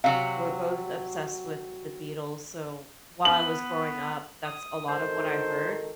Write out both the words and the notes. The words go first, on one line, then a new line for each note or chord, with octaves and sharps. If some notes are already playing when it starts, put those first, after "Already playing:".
were both obsessed with the Beatles, so, while I was growing up, that's a lot of what I heard.
C3 F#3 F#4 F5
B3 F#7
D#6
G#1 D#3 A4 C5